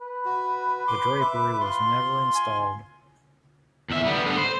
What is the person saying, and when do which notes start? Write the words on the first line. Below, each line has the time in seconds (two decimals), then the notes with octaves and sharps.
The drapery was never installed.
0.01 B4
0.25 F#4
0.88 C6 D6
1.21 E5 D6
1.60 F4 C6
2.35 G#5
3.90 E2 E5
4.05 G3 B3
4.26 D3 B3
4.37 C5